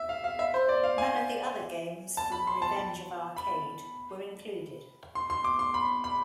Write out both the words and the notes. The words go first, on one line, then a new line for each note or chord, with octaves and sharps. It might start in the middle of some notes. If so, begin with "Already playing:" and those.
None of the other games from "Revenge of Arcade" were included.
Already playing: E5
F5
F5
E5
C5
D5
F5
G#5
A5
B5
C6
A5
A5
B5
C6
C6
D6
C6
B5
B5